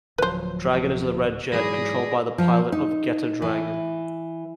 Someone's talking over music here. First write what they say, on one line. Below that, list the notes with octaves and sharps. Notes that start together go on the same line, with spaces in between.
Dragon is the red jet, controlled by the pilot of Getter Dragon.
D1 F3 F#3 B4 C5
G#2 E3 F#3 G#4 D5 B5 A#6
F3
D#4
E3